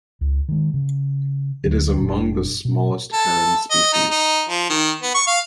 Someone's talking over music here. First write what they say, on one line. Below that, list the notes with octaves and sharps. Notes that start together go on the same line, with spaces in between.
It is among the smallest heron species.
C#2
D#3 G#3
C#3
D2 D3 F#3
F1 A#2 G3 D4
B2
A4
D#5
D#4
D#4
F3
D#3
B3
C#6
F5